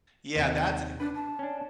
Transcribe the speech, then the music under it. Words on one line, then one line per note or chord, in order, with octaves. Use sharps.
Yeah, that's, eh
D#2 C3
D4 B4
A5
C#4 D4